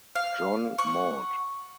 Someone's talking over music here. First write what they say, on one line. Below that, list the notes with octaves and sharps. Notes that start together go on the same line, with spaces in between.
John Maude.
F5
F#5 C#6